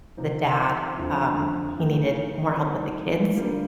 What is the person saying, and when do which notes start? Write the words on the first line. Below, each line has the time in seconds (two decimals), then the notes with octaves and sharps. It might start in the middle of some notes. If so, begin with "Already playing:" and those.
the dad, um, he needed more help with the kids.
0.17 C3 F3 C4 D#4
0.97 F2 D3 F3
1.76 A2 A3 D#4
2.56 D#3 G3 C4 D#4
3.36 D3 G3 A#3 F4